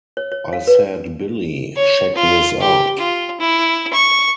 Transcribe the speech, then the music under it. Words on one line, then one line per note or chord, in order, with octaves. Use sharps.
I said, Billie, check this out.
C#5
C#5
F5
B4
C#5
F4
G4
F4
E4
C#6